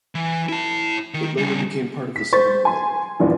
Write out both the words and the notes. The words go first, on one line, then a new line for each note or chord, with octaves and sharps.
It later became part of the Southern Railway.
E3
E4 A5
D#3
C#3 G3
B6
C5 C#6 A6
G#5 C6
A#1 E2 G2 F3